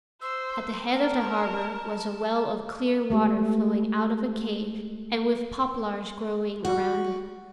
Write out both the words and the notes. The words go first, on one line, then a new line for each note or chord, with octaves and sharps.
At the head of the harbor was a well of clear water flowing out of a cave, and with poplars growing around it.
C5 E6
A#4 A5
G#3 A3 G4
F#4